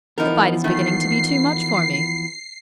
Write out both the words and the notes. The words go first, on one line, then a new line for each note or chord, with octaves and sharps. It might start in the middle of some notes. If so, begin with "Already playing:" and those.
The fight is beginning to be too much for me.
E3 F3 B3 D#4 A#4
D#3 A3 C7